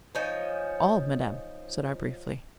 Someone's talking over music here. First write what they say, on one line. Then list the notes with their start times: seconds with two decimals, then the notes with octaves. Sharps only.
"All, madame," said I, briefly.
0.15 F3 D#4 C#5 G#5